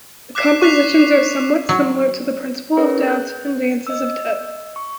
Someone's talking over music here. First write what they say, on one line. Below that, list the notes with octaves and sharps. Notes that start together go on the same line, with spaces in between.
The compositions are somewhat similar to "The Principle of Doubt" and "Dances of Death".
D6 F#6 B6 C7 E7
C#6 F#6 B6 C7 F7
F#3
C#4 G#4 A#4 B4 C#5
F#6 G6
D#5 E6
C#6